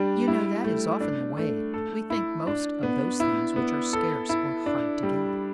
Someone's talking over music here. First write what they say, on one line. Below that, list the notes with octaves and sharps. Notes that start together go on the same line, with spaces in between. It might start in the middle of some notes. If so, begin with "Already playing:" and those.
You know that is often the way--we think most of those things which are scarce or hard to get.
Already playing: G3 D4
E4
A3
D4
A3
A4
E4
D4
B3
E4
B3
A4
E4
D4
G3